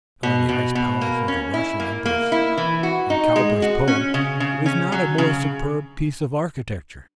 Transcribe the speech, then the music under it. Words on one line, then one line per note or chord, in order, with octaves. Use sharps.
I am sure the ice palace of the Russian Empress, in Cowper's poem, was not a more superb piece of architecture.
B2
B2
B2
A#3
C#4
E4
A#3
A#3
E4
E3
F#4
D#4
G#3
F#4
C#4
C#3
C#3
C#4
F#3
C#3